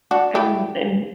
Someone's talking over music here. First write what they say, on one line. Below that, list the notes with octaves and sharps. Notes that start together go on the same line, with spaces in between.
And and
D4 F#4
E4 G4